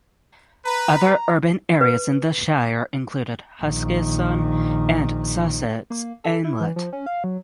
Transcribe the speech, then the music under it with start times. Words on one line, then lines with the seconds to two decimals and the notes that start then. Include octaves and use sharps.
Other urban areas in the shire included Huskisson and Sussex Inlet.
0.65 B4 A#5
1.81 B4
3.62 A#1 D#3
5.90 A#3
6.24 A4
6.44 E4
6.60 E3
6.76 F3
6.93 C#4
7.06 F5
7.24 F#3